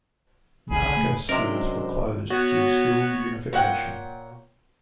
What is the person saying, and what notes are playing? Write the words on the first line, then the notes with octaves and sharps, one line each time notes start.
Narka schools were closed through school unification.
E1 A#1 D#2 G#4 B5
C3 A3
F#2 C3 D4 A#4 C5 D#5 E5
B3 F#4 C#5
A#2 C#5 F#5 G5